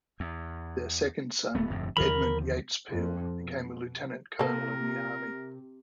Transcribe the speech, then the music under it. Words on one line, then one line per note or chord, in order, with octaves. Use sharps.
Their second son, Edmund Yates Peel, became a Lieutenant-Colonel in the Army.
E2
D1 A3 B3
G1 F2 A2
D#2 D3 F3 A#4 B5
F2
B2
C3 A#3 A4 A#4